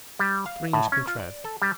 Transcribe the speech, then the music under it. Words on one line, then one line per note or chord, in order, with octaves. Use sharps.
Strange contrast!
G3
F5
A2
C#4
F4
D5
A4
G3